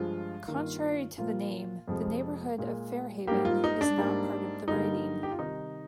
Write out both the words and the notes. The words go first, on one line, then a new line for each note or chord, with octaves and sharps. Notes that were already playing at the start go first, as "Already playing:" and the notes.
Contrary to the name, the neighbourhood of Fairhaven is not part of the riding.
Already playing: G2 F3 G#3 F4
G2 D#3 A#3
A#2 F3 A#3 F4
F2 C3 F3 G#3
A#2 G#3
G#2 G3 A#3 G4
F4
D#4
D4
G#2 G3 A#3
G2 D3 G3 A#3 D#4
G4
F4
C3 D#3 G3 D#4